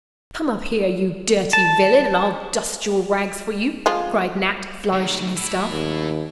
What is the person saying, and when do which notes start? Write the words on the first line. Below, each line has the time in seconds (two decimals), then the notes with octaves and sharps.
"Come up here, you dirty villain; and I'll dust your rags for you," cried Nat, flourishing his staff.
1.53 A5
3.86 F3 G#3 F4
4.94 D2 D#3
5.37 A2 E4
5.70 D#2